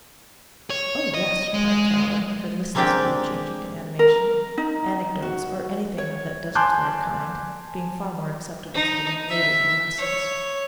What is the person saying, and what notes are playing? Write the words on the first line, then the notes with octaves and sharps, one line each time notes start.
"Oh, yes!" replied Caroline, her listless mood changing to animation; anecdotes, or anything of that desultory kind, being far more acceptable to the young lady than lessons.
C#5
D#5
G#3
G#3 A#3 C4 D4 G4 G5
A#4
D#4
F#4
C#5
G#5 A5 C6 D6 F#6 G6
D#4
E5
C#5